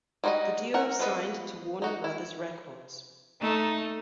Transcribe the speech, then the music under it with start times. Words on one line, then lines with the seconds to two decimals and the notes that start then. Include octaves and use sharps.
The duo signed to Warner Brothers Records.
0.24 G3 D#4 F#4 A#4 D#5
0.74 A#4 F#5
0.99 F3 B3 B4 D#5
1.82 D#4 F#4
2.04 E4
3.41 A3 D#4